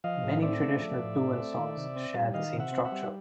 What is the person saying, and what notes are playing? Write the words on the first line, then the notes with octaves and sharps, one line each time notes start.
Many traditional Tuvan songs share the same structure.
F3 D#5 F5
A2
C4 D5 E5
A3
F3
A2
C4
A3
D#3
C3
C4
G3
D#3 D#5 F5
C3
E5 F#5
C4
E5 F#5
G3